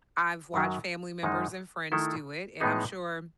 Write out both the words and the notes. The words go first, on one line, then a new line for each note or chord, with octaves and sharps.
I've watched family members and friends do it, and I'm sure
F#2 D#3 F#3
F#2 D#3 G#3 D#4
D#3 A3 E4 A4
A2 G#3 B3 D#4 G#4